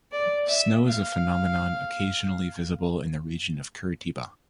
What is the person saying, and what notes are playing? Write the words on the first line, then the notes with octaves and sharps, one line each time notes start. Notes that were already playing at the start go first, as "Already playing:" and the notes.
Snow is a phenomenon occasionally visible in the region of Curitiba.
D5
E5
F5